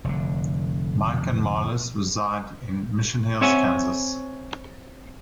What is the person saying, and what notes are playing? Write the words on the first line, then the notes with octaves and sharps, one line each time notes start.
Mike and Marlys reside in Mission Hills, Kansas.
F1 D3
C4 C#5 E5 F#5 G#5